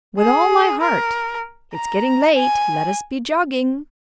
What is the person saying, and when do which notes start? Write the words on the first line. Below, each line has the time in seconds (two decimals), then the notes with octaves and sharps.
"With all my heart; it's getting late, let us be jogging."
0.19 G#4
0.81 A#4
1.74 A#5
2.36 G#5